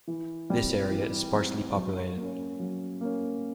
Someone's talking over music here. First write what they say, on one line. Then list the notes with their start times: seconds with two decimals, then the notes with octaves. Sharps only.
This area is sparsely populated.
0.07 E3
0.50 G3 C4
0.91 E3
1.33 G3 C4
1.75 F#3
2.16 A#3
2.22 C#4
2.59 F#3
3.01 A#3 C#4